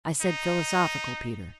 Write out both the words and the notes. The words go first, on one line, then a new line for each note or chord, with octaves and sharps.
"I said 'philosophical,' Peter."
D#4